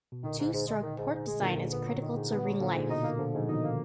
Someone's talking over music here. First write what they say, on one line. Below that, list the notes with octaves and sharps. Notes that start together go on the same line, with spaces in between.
Two-stroke port design is critical to ring life.
B2
A#2 D3 D#3
G#2
G#2
G#3
D#3
G#2
G#2
G#3
A#2 D3 D#3
G#2
B3
F#3
D#3
G#2
B3
F#3
A#2 D3 F3
G#2
B2 D#4
A#3
A#2 D3 F3
G#2
F3
B2 D#3 D#4
A#3